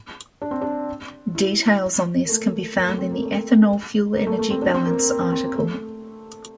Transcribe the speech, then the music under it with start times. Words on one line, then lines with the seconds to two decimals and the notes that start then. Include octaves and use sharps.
Details on this can be found in the Ethanol fuel energy balance article.
0.42 D4
0.51 C4
0.62 D4
1.35 E4
2.25 A#3
2.29 A3
2.76 A#3
2.87 A3
2.98 C4
3.10 A#3
3.22 A3
4.16 A#3
4.27 A3
4.39 A3
4.50 C4
4.62 D4
4.74 C4
4.85 A#3
4.97 A#3
5.09 A#3
5.21 C4
5.32 C4
5.44 A#3
5.55 A3